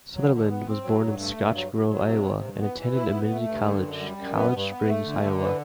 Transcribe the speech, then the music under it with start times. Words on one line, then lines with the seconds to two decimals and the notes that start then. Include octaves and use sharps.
Sutherland was born in Scotch Grove, Iowa and attended Amity College, College Springs, Iowa.
0.14 F#3
0.31 D3
0.49 B3
0.66 C4
0.84 F#3
1.02 G2
1.19 A3
1.36 G2
1.54 F#3
1.72 F#3
1.89 F#3
2.07 C3
2.24 G2
2.42 G2
2.60 B3
2.77 E3
2.95 E4
3.12 B3
3.30 A3
3.48 G2
3.65 D3
3.82 F#2
4.00 G3
4.17 F#2
4.35 B3
4.52 G2
4.70 B3
4.87 A3
5.05 D3
5.22 D3
5.40 E3